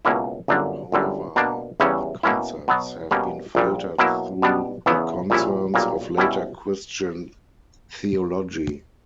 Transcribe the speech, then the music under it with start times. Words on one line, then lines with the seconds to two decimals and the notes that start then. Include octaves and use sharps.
However the concepts have been filtered through the concerns of later Christian theology.
0.05 C#2 B2 A#3 C#4 E4
0.48 G1 F#2 D3 A#3 D4
0.92 G1 F#2 D3 G3
1.36 B2 A#3 D4
1.80 E2 C#3 E3 G3 C#4
2.23 B2 A#3 C#4 E4
2.68 B2 F#3 B3
3.11 B2 G3 A#3 C#4
3.55 A#1 A#2 G3
3.99 B2 F#3 A#3 E4
4.42 B2 G3 B3 D4
4.86 E2 C#3 E3 B3 E4
5.30 A#1 A#2 G3 C#4 E4
5.74 B1 A#2 G3 A#3
6.18 B2 G3 C#4 E4